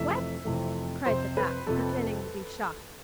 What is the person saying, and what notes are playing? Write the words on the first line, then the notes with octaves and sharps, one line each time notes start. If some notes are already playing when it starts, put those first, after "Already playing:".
"What!" cried the Bat, pretending to be shocked.
Already playing: F2 C3 E3 A3 E5
F2 C3 E3 A3
F2 C3 F3 C5
B4
F2 C3 F3 A4